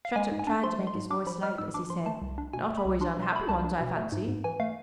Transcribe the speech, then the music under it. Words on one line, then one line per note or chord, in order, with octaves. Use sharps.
Shattuck tried to make his voice light, as he said: "Not always unhappy ones, I fancy."
F5
G#3 G#5
G#2
G#5
D4
F3 C6
G#3
C6
G#2
D4 D6
F3 B5
G#3 F6
G#2 E6
D4 D6
F3 C6
A3 A5
C2
D4
B2 G#5
A3
B5
C2
D4 C6
B2
C6
A3 B5
C2 A5
D4
B2
A3
G#2
G#2
E3 G#5
A3 F5